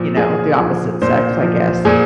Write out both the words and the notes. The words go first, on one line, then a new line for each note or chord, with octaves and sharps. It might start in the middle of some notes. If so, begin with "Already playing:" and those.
you know, the opposite sex, I guess.
Already playing: A#2 F3
A#2 G#4
F3
A#2 C5
F3
A#2 G#4